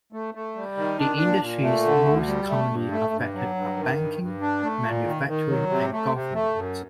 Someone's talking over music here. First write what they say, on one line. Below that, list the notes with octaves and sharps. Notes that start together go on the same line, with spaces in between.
The industries most commonly affected are banking, manufacturing, and government.
A3
A3
G3
D#3
D4
A#2
A#2
A3
D3
D2
G3
A3
G2
A3
G2
F#3
G2
D#3
G2
G2
D4
A3
A#2
D#3
D#3
F#3
C3
A3
C3
A3
F#2